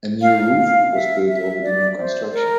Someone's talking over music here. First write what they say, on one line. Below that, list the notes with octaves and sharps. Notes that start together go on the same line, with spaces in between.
A new roof was built over the new construction.
F5
F5
E5
E5
D5
C5
A#4